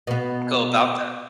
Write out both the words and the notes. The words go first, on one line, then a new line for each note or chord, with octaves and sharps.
go about that.
B2 B3